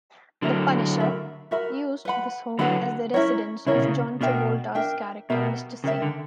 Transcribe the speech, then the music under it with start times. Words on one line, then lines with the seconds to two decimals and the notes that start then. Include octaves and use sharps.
"The Punisher" used this home as the residence of John Travolta's character Mr. Saint.
0.42 D3 F#3 A#4 E5 A#5
0.96 F#4 A#4 E5 B5
1.51 F#4 A#4 E5 B5
2.05 B4 F#5 B5
2.59 D3 F#3 B4 F#5 B5
3.14 C#4 E4 A#4 C#5
3.67 C#3 C#4 E4 A#4 C#5
3.75 B2
3.82 C#3
4.21 B2 D4 A#4 E5 G5
4.75 D4 A#4 E5 G5
5.30 B2 G4 A#4 E5
5.84 C#3 G4 A#4 E5
6.02 D3